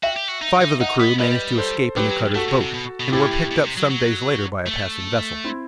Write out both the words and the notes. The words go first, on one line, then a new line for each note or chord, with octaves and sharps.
Five of the crew managed to escape in the cutter's boat and were picked up some days later by a passing vessel.
F#4 E5 G5
G4
F#4
D#4
D#4
D#4 D#5 F#5
B3
G3 B4 D#5
A4 C5
F#3 G4 B4
F#3
A3 F#4 A4
C3
C3
B2
B2
A2 E4 G4
A2
B2
C3
F#3
F#3
A3
C4 E4